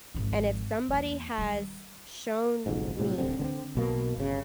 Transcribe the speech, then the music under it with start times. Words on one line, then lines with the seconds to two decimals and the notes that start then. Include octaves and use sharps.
And if somebody has shown me
0.15 G#1 F3
0.89 E2 A#3
1.38 D#3 G3
2.66 F#1 B1 F2 G#2
2.99 A2 C3 F#3
3.18 D1 C2 D3 C4
3.39 D3 B3 C4
3.75 B1 B2 A#3
4.16 G1 C#3